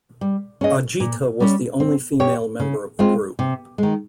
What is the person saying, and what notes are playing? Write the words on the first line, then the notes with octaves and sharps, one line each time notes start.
Ajitha was the only female member of the group.
G3
C#4 G#4 D#5
A#2
G3 C#4
C4
G4 C#5
C#3
G#3 C4 F4
C3
D#3 G#3